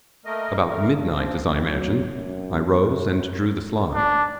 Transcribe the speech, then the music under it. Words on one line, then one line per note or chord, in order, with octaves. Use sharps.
About midnight, as I imagined, I arose and drew the slide.
A3 A#3 A#4 D#5
D3 A3 A#4
G2
F3 C4
F#3
F#2
D4